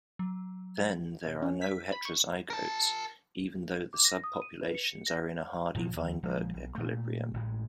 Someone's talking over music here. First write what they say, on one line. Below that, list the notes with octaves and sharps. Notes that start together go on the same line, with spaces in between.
Then, there are no heterozygotes, even though the subpopulations are in a Hardy-Weinberg equilibrium.
F#3
B1
C#4
B6
B5
C#6
A#4 A5
D6
A#6
D#6
D#7
B4
C#7
A#6
G#1 A#2 F3
D#2
A#1 F3 G#3 A#3
B1
A#2 A3
A1 A2 G#3